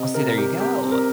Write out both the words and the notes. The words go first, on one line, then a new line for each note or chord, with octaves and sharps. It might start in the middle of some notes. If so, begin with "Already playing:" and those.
Oh see, there you go.
Already playing: C3 C4 D#5
C3 A#4
G3 G4
C3 G4
C4
A#4